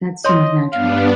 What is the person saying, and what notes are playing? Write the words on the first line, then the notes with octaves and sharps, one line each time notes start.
That seems natural.
C#5 D#5 C6
G2 B3 D4 F5